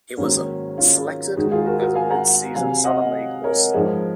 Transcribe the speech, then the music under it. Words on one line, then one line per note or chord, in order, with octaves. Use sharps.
He was selected as a midseason Southern League All-Star.
G#2 D#3 F#3 A#3 C#4
C#4 F4
G#2 D#3 G#3 D#4 F#4
F4 G#4
F#4 A#4
F#4 A#4
F5 G#5
F#5 A#5
C3 F#3 F5 G#5
D#5 F#5
A#4 C#5
G#2 F3 G#3